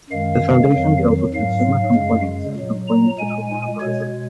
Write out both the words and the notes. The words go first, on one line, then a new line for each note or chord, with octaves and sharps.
The Foundation deals with consumer complains and complains between entreprises.
F#2 D#3 G#3 F5
F2 D#3 F#3
G#2 F#3 F5
F#2 C#3 G#3
A#2 F#3
A#5
A#2 G#3 G#5
B2 G#3 C#5